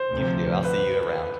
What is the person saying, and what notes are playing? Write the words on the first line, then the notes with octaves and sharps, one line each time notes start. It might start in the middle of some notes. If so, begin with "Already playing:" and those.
You too. I'll see you around.
Already playing: C5
D2 C3 F3
B4